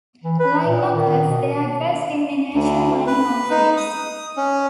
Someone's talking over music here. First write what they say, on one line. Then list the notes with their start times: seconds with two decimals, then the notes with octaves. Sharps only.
Like Knockers, they are dressed in miniature mining outfits.
0.24 E3
0.40 B4
0.66 A#2
0.94 D#3
1.29 B2
2.54 D2
3.07 B4
3.51 D#4
3.77 D#6
4.37 C#4